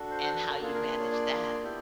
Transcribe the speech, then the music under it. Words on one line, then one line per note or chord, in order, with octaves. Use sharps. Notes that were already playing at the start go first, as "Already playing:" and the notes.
and how you manage that,
Already playing: D4 F#4 A4
C5
C5
B4
A#4
A#3 D4 F4 G#4 A4
A#4
B4
C#5
D5
B3 E4 G4